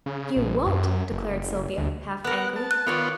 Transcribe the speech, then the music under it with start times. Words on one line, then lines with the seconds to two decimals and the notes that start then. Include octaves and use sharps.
"You won't!" declared Sylvia, half angrily.
0.06 C#3
0.36 A#1
0.66 F#2
1.11 F#1
1.77 D2
2.24 B3 A#4 F#5
2.56 A5
2.71 F#6
2.87 D#3 B3 F4 C#5 D5